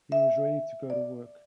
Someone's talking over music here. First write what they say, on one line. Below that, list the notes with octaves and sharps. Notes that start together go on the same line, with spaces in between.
He was ready to go to work.
E5
D5